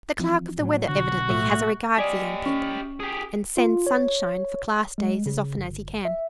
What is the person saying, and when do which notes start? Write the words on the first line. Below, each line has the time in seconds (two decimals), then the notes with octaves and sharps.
The clerk of the weather evidently has a regard for young people, and sends sunshine for class days as often as he can.
0.19 E3 F3 C4
0.57 A2 F#3
0.88 B1 D3 F#4
1.30 A2 A3
1.98 G4 D5 D#5 G#5
2.46 C#4
3.00 G4 G#4
3.57 F4
3.87 C#5
4.98 G#3
5.26 C#3
5.58 G1
6.05 E5